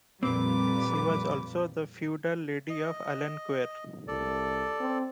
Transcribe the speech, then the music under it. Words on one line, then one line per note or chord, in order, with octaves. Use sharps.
She was also the feudal Lady of Alenquer.
F2 A#2 G3 C4 B4 D6
D#5
C2 A4 D5
C4